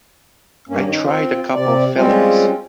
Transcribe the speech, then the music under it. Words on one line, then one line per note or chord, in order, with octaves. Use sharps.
I tried a couple of fellows.
G2 A#3 C#4
D#3 C#4
C4 F4
C3 D5
F3 G3 G#3 C4 C#4 F4